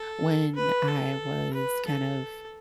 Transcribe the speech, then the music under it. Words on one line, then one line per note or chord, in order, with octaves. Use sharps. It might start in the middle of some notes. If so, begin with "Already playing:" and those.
when I was kind of
Already playing: A4
B4
A4
B4
A4